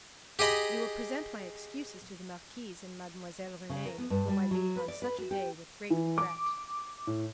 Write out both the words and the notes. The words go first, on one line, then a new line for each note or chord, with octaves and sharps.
"You will present my excuses to the marquise and Mademoiselle Renee, whom I leave on such a day with great regret."
G4 G#4 D#5 B5
C#3
A#4
B3
G2
G3
F#3
B4
D5
B4
F#4
G4
E3
D6
A2